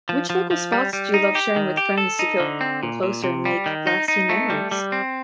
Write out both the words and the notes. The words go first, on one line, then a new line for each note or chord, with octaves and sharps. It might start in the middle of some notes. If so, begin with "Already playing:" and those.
Which local spots do you love sharing with friends to feel closer and make lasting memories?
F3
F3
F3
G3
G3
D#4
G4
D#3
G4
A4
D#4
D3
C4
A#2
A#2
C3
G3
D#3
D#4
D#4
A3
G3
G3
C4